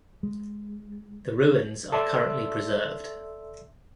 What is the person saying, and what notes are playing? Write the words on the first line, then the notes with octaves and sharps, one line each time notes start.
The ruins are currently preserved.
G#3
A4 D5 E5 C6 E6